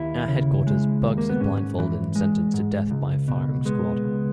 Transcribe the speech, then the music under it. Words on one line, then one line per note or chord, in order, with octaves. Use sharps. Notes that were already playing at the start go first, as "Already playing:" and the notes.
At headquarters, Bugs is blindfolded and sentenced to death by firing squad.
Already playing: D#2 E4
C#3
G#3
D#2
A#3
B3
G#2 C#4
E3
G#3
G#2
C#2
B2
G#3 B3
C#2